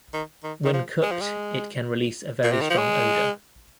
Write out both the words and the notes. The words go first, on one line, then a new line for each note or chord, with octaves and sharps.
When cooked, it can release a very strong odor.
D#3
D#3
D#3
F3
G#3
F3
G#3
A#2
C3
D#3
F3
G#3